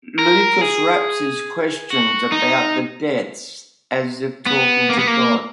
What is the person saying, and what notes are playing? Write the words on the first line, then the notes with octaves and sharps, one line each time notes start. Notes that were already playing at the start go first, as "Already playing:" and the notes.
Lucas raps his questions about the deaths as if talking to God.
A#4
G#4
F#4
D#4
B3
A#3
B3
A#3